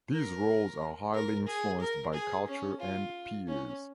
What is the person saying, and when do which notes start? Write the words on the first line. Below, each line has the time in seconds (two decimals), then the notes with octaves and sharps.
These roles are highly influenced by culture and peers.
0.13 A#4
1.14 A#4
1.47 G#4
1.81 A#4
2.14 G#4
2.47 C#4
2.81 F4
3.47 C#4